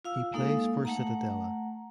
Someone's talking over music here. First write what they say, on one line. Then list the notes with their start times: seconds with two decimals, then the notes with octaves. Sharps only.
He plays for Cittadella.
0.05 F4 F5 E6
0.33 G#3 A#3 D#4 A4 F5
0.85 A3 F#5 A#5